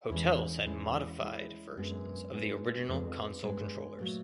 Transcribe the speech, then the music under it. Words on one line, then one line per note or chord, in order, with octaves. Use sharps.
Hotels had modified versions of the original console controllers.
E2 G#3 C#4 E4
E2 G#3 C#4 E4
G#3 C#4 E4
F#2 G#3 B3 D4
G#3 B3 D4
F2 G#3 B3 D4
G2 G#3 B3 D4
A#2 F#3 A3